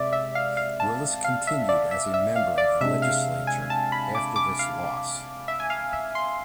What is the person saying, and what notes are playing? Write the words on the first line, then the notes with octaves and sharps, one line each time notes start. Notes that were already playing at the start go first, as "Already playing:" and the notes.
Willis continued as a member of the legislature after this loss.
Already playing: C3 G#3 D5 E5
E5
F5
F5
A5
F5
E5
D5
E5
E5
F5
D5
C3 G#3 D4 E5
F5
G#5
A5
B5
D6
D6
F5
E5
G#5
F5
E5
C6